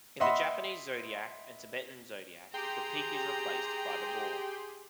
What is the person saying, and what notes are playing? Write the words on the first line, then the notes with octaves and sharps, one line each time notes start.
In the Japanese zodiac and Tibetan zodiac, the Pig is replaced by the boar.
D#5 E5 F#5 B5 C6
G4 G#4 G5 A#5 C6